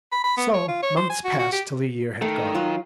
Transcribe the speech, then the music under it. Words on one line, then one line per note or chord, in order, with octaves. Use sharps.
So months passed till a year had gone.
B5
B5
B3
C#5
F4
C#5
C5
G#5
F#4
F#4
G4
D#3 A3
F#3 F4